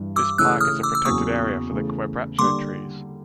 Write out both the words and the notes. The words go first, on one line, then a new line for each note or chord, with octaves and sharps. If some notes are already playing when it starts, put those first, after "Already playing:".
This park is a protected area for the quebracho trees.
Already playing: G2 E3 G3
D6 E6
C#3 E3 A3 C#4 E4 E6 F#6
D#6 F6
D6 E6
E6
E2 C#3 F#3 A#3 C#6 D#6
C#3 E3 A3
D3 G3 A#3 D4 C6 D6